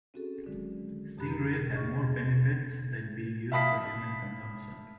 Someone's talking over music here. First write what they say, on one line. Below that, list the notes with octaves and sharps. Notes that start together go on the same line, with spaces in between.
Stingrays have more benefits than being used for human consumption.
C4 C#4 F#4 G#4 A4
D3 D#3 F#3 G#3
F2 B2 G4 A#5 B5 F#6
E2 G#4 D#5 C#6 F6 A#6
A6
E5 F5 A5 B5 D#6 B6